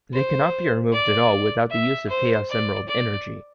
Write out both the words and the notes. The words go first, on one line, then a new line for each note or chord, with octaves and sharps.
They cannot be removed at all without the use of Chaos Emerald energy.
C5
D5
E5
C5
D5
D5